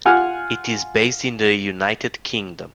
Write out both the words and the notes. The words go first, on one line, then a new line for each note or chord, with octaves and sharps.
It is based in the United Kingdom.
F4 F#5 G#5 F6